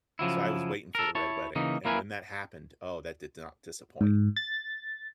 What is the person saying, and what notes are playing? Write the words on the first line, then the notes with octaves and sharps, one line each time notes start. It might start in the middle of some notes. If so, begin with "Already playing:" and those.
so, I was waiting for the Red Wedding, and when that happened, oh, that did not disappoint.
C#3 F3 F#3 E4
A4 A#4
E4 C#5 A5
C#3 E3 A#3 D#4
A#3 E4 A#4 B4 G#5
G#2
A6